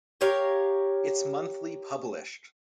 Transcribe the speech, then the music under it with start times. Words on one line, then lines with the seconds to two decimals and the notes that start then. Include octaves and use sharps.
It's monthly published.
0.21 G4 A#4 C#5 F5